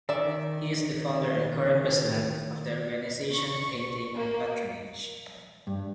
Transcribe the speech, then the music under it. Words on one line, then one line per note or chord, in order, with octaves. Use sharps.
He is the founder and current president of the organisation Painting and Patronage.
D#3 D5 E5
C#6
A#3
G2